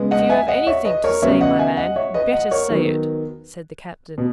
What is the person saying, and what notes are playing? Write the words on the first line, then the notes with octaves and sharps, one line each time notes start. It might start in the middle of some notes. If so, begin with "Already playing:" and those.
"If you have anything to say, my man, better say it," said the captain.
Already playing: C#3 G#3 B3
D#5 F#5
E5 G#5
D#5 F#5
C#5 E5
B4 D#5
A#4 C#5
C#3 F#3 B3 C#5 E5
D#5 F#5
E5 G#5
D#5 F#5
C#5 E5
B4 D#5
D#5 F#5
A#4 C#5
D#3 F#3 B3
B2